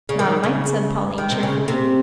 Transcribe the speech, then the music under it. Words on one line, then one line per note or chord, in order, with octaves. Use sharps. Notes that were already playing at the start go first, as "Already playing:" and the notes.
"Not a mite," said Pauline cheerfully.
C#3
D#3
C#3
D#3
C3
C#3
C3